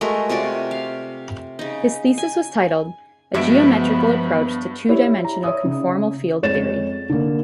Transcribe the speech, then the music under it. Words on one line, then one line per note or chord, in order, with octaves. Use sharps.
His thesis was titled "A Geometrical Approach to Two Dimensional Conformal Field Theory".
G#3 A3 F#4 A#4
C3 F4 F#4 D5
F5
C#3 D#4
G#5
G2 F3 G#3 B3 F#4 E5 B5 D7
E4 G4 C#5
A#5
C#5 E5 D#6
C#3
F2 G#3 C#5 A6 E7
D3 A#3